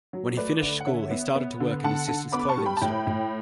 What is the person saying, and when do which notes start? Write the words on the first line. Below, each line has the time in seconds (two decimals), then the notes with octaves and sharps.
When he finished school he started to work in his sisters' clothing store.
0.13 F#3
0.37 A3 B4 D5
0.62 D3
0.80 F#5
0.86 D3 C#5 E5
1.11 B3
1.35 B3
1.60 D3
1.84 D3 F#5 A5
2.08 D3
2.32 B3 B5 D6
2.49 A5 C#6
2.57 G3
2.66 G5 B5
2.77 A5
2.81 A2 G5 B5
3.07 A2